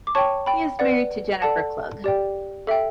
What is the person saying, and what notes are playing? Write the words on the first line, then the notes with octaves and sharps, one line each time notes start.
He is married to Jennifer Klug.
D6
C#5 G5 A5 C#6
G5 B5
B4 D5 F#5
A4 D5 F#5 A5
G4 D5 G5
A4 E5 G5